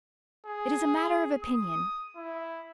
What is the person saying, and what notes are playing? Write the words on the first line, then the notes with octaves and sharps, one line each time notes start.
It is a matter of opinion.
G#4
D#6
E4